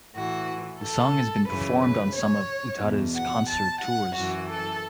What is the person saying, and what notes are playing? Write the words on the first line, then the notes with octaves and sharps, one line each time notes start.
The song has been performed on some of Utada's concert tours.
A2 E3 F#4
A4
F#2 C#3 E3 B4
B4
C#5
E2 B2
F#5
A5
F#5
F#2 E3 F#4
A4